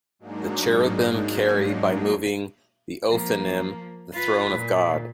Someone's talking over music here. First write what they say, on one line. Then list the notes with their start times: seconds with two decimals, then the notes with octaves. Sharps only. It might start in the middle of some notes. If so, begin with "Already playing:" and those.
The cherubim carry, by moving the Ophanim, the throne of God.
0.19 G#2 F#3 G#3 A#3 D4 D#4
3.08 F3 A#3
4.13 F4 B4
4.54 A#2